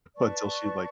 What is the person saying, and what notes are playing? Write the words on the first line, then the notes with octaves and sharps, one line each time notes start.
until she, like
B4 D5 A5 C#6